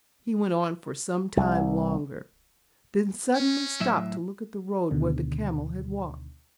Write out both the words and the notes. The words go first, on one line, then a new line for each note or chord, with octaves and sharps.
He went on for some time longer, then suddenly stopped to look at the road where the camel had walked.
C2
C#4
A2 F#3 E5
D2 B2 D3 D#3